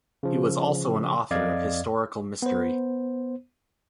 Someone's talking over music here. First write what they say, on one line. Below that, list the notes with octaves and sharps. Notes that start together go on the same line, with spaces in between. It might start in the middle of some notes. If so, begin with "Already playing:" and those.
He was also an author of historical mystery.
C#3 F3
F2 D5 D#5 F5 G#6
B3 C5